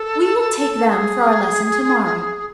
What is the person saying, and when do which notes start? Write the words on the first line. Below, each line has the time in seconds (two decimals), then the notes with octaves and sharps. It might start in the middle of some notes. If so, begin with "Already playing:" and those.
We will take them for our lesson to-morrow.
Already playing: A4
0.90 G#4